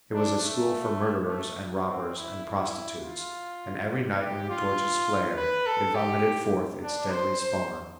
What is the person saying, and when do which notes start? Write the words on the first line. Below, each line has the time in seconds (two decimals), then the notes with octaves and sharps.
It was a school for murderers and robbers and prostitutes; and every night when the torches flared it vomited forth its deadly spawn.
0.13 D4
0.42 A3
1.28 A3
1.87 C4
2.17 E4
2.46 E4
3.04 F4
4.20 G4
4.50 F4
5.37 B4
5.66 A4
5.95 G4
6.83 D4
7.11 C5
7.41 C5